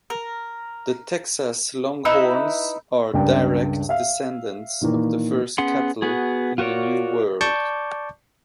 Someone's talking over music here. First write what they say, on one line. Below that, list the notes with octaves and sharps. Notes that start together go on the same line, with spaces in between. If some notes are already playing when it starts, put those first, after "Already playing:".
The Texas Longhorns are direct descendants of the first cattle in the New World.
A#4
D#4 E4 B4 E6
C#2 G2 C#3 D4 A#4 G5
E5 F5
A#2 D#3 E3 A#3
B3 C#4 G#4 F#5 C6
B3 F#4 G#4
F4 F#4 A#4 C#5 D5
D5 A5 C#6 D6 G6